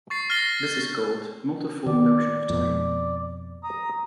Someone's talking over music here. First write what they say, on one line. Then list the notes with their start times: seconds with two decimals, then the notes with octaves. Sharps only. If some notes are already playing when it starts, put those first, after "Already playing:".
This is called multiform notion of time.
0.10 C#6 A6 C7
0.30 F6 A6 A#6 C7 G7
1.86 D#3 D5
2.50 F2 B2
3.64 A#5 D#6